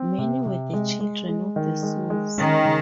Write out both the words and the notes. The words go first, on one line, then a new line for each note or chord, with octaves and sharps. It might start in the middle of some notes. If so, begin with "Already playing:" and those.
Many were the children of The Souls.
Already playing: C4
C3
C3
G#3
G#3
G#3
D#3
G#3
G#3
D#3 C#4
C#3